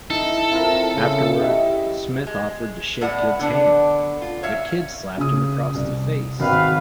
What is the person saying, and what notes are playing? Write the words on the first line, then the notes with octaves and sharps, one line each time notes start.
Afterward, Smith offered to shake Kidd's hand, but Kidd slapped him across the face.
D#4 E4 A4
C4 E4 F4 A#4
C#3 E4
E4 G4 D#5 E5
G#3
A2 B3 D5 F#5
D3 B3 D4
F4
C#5 E5 F5
C#3 C#4 D#6
C2
G#1 C4 F#4 B4 F5